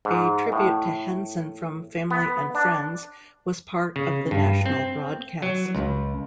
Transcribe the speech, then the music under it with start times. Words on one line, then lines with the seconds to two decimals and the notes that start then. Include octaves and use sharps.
A tribute to Henson from family and friends was part of the national broadcast.
0.05 G#2
0.52 A2
2.11 B3
2.55 D4
3.96 C#3
4.31 G2
4.66 C4
5.42 F#3
5.75 C#2